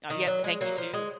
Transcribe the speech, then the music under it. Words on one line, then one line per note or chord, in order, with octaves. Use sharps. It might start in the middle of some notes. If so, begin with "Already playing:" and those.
Oh, yeah, eh, thank you, too.
D#3
F#3
G#3
F#3 A#3
F3
G#3